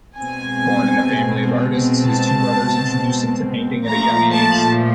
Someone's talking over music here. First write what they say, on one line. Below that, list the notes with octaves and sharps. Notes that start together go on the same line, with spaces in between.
Born in a family of artists, his two brothers introduce him to painting at a young age.
B2 G#3 C4 G#5
A5
A#2 F3 A3 A#5
A5